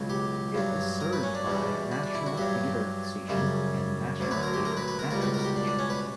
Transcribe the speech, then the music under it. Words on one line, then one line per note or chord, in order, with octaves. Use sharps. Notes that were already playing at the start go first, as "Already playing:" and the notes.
It is served by National Theatre Station and National Theatre metro stations.
Already playing: C#2 B2 F#3
G4
G2 F#3
A#4
B4
C#4
D4
E2 B2 G3
D4
D4
E4
F#4
G2 F#3 G4
F#2 C#3 G3
D2 D3 F#3
B4
A#4
G4
A#4
B4
B4
A#4
C#2 B2 G3 A#4
B4
A#4
G4
D4
D4
C#4
B4